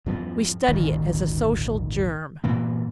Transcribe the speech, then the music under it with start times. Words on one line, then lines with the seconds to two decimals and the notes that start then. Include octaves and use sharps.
"We study it as a Social Germ."
0.06 E2 G2 F3
0.68 D#1 G#1 D2 D#3
2.44 G2 A#2 E3 A#3